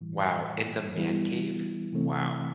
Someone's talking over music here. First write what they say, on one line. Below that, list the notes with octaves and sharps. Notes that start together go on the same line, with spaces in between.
Wow! In the man cave? Wow!
A2 E3 G3
E3 G3 B3 E4
C3 E3 A3 C4